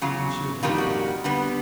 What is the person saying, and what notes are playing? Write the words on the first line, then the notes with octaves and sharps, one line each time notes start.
And she obeyed.
E2 C#3 F#3 F4
F2 C3 D#3 G3 A#3 F4
F#4
D3 G3 B3